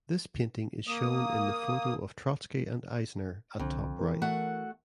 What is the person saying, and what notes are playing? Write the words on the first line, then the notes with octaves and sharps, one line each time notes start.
This painting is shown in the photo of Trotsky and Eisner at top right.
A#3 D#6
C2 F2 D3
E3 A#4
A3 F#4 F#5